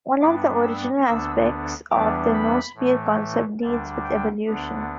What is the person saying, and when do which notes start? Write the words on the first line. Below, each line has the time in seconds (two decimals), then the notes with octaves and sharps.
One of the original aspects of the noosphere concept deals with evolution.
0.20 G2 G3 B3 D4 D6
0.63 E6
1.06 D2 D3 B3 D4 E6
1.91 E2 E3 G3 B3 D4 D6
2.34 B5
2.75 A2 E3 A3
3.61 D2 D3 G3 D4 A5
4.03 G5
4.46 D2 D3 B3 D4